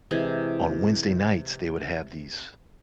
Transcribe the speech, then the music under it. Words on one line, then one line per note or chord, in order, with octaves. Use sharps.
On Wednesday nights, they would have these
C3 E3 G#3 G#4